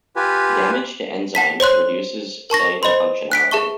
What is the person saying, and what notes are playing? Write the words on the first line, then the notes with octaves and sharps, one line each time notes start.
Damage to enzymes reduces cellular functionality.
F4 G4 B4 G#5
F#5 A5 B6
C5 C#5 C6 F#6
A#4 A5 C#6 A#6
C5 D#5 B5 C6
F#6 B6 D7
G#4 E5 A5 C#6 G7